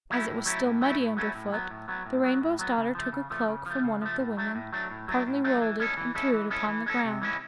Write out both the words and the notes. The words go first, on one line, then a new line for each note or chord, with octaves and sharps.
As it was still muddy underfoot the Rainbow's Daughter took a cloak from one of the women, partly rolled it and threw it upon the ground.
F#3 A3 C#4 E4
A2
F#3 A3 C#4 E4
A2
F#3 A3 C#4 E4
A2
F#3 A3 C#4 E4
A2
F#3 B3
A2
F#3 B3
A2
F#3 B3
A2
F#3 B3
C#3
F3 A3
C#3
F3 A3
C#3
F3 A3
C#3
F3 A3
A2
F#3 A3 D4
A2
F#3 A3 D4
A2
F#3 A3 D4
A2
F#3 A3 D4
E3
G#3 C#4 E4 A4
E3
G#3 C#4 E4 A4
E3
G#3 C#4 E4 A4
E3
G#3 C#4 E4 A4
C3
E3 G#3 C#4 E4